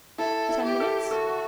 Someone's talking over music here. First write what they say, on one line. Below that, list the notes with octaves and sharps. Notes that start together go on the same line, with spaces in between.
Ten minutes?
E4 A4
E4
G4
A4
F#4 A4